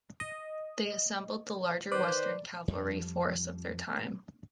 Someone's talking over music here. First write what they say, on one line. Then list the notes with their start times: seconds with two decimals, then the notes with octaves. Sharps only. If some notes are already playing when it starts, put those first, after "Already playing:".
They assembled the larger western cavalry force of their time.
0.20 D#5
1.92 D#3 B4 C5 D5
2.68 F2 F3 G3